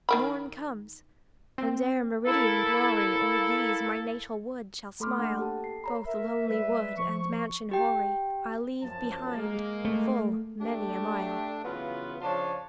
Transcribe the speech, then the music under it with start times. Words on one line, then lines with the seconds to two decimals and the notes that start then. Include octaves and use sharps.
"Morn comes--and ere meridian glory O'er these, my natal woods, shall smile, Both lonely wood and mansion hoary I'll leave behind, full many a mile."
0.09 D#3 A#4 B5
1.58 C4
2.26 A#3 E4 A4
5.00 A3 A4 B5 C6 D6 F6
5.18 A#3 D4 A4 F#5
5.39 G4 A4 A5
5.64 C7
5.84 C#5 A#5 B5
6.06 A#4 E5
6.48 G3 B4 E5
6.97 F3 C#6
7.71 G4 G5
8.82 F#2 F3 A5
9.37 G#3 A#3
9.85 A3
10.61 A3 D4 G4
11.64 C#3 E3 F#3 B3 F4 B4
12.22 C#3 F3 D4 F4 C#5 A5